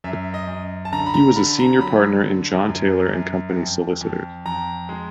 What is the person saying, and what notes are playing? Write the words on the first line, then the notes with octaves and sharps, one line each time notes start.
He was a Senior Partner in John Taylor and Company solicitors.
F#2 E5
D#5
F#2
A5
D3 A#5
B5
A#5
D3 B5
A#5
F#3 B5
D3
F#2
F#2
F2
F2
F2 A#5
G#3